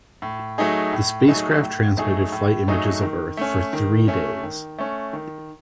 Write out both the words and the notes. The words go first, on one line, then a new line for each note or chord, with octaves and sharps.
The spacecraft transmitted flight images of Earth for three days.
A2
F#3 A3 D#4 G#4
A2
F#3 A3 D#4 G#4
A2
F#3 A3 D#4 G#4
A2
F#3 A3 D#4 G#4
D#3
A3 C#4
D#3
A3 C#4
D#3
A3 C#4
D#3